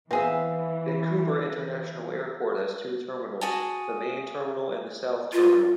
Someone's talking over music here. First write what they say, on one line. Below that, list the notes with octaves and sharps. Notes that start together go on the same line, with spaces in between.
Vancouver International Airport has two terminals: the Main Terminal and the South Terminal.
E3 B3 C4 G#4 B4 E5 F5
F#4 G#4 A5
F4